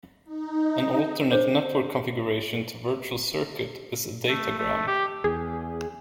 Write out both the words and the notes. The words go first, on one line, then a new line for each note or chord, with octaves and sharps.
An alternate network configuration to virtual circuit is datagram.
D#4
D4 G#4 C5 C#5
A3
A3
G4
E2 G#4